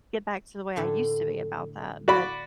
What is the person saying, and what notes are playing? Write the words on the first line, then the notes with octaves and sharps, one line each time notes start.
get back to the way I used to be about that. But
A2 D3 A3
F#4 D5 B5